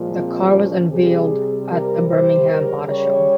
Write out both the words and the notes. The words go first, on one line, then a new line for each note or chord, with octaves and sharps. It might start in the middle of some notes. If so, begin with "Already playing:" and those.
The car was unveiled at the Birmingham Auto Show.
Already playing: A#2 F3 G#3
C4
C#4
C3 G3 G#4
A#4
C5
C#3 G3 A#4
C#5